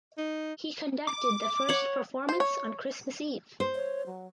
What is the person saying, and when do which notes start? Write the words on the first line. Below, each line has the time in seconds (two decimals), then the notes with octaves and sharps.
He conducted the first performance on Christmas Eve.
0.18 D#4
1.07 D6
1.69 C#5 F#5
2.29 C5
2.40 C#5
3.60 C5
3.75 C#5
4.06 F#3